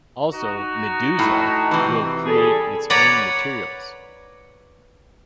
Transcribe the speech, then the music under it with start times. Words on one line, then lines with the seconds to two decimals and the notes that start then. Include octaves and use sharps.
Also, "Meduza" will create its own materials.
0.32 D#4 F#4
1.19 A2
1.71 C3 E3
2.25 G3 G#4 A4
2.90 B4 C#5 D5 F#5 A#5 B5